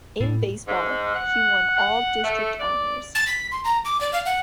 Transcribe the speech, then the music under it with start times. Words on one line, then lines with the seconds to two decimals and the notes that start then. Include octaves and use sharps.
In baseball, he won All-District honors.
0.20 A2
0.67 G#2
1.15 F#5
1.76 F#5
2.24 A3
2.59 D5
3.15 A6
3.27 B6
3.51 C6
3.64 A#5
3.85 D6
4.01 D5
4.13 F5
4.26 F#5